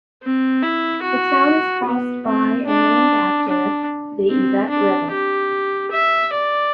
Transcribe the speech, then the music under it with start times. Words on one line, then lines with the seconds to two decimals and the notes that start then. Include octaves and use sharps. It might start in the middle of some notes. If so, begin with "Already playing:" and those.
The town is crossed by and named after the Yvette River.
0.23 C4
0.63 E4
1.04 F#4
1.86 B3
2.27 C4
2.67 D4
3.48 D4
4.30 C4
4.70 D4
5.11 G4
5.92 E5
6.33 D5